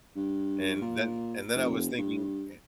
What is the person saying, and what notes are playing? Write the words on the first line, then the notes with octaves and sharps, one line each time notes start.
And then and then I was thinking and
G2
A#2
F1
G2